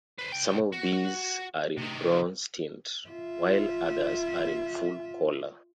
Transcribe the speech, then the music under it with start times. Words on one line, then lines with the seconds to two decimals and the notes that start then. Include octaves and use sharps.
Some of these are in bronze-tint, while others are in full color.
0.19 B4 C5
0.33 C2 G5
0.72 F#4
1.78 C3 D#3
3.09 F4 E5